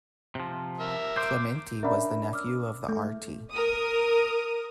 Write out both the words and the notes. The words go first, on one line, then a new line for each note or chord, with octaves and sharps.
Clementi was the nephew of the Rt.
C3 F3
A#4 E5
C5 D6
C#4 D4 A#4 E5 B5
D6 E6 F6
A3
A#4 D#6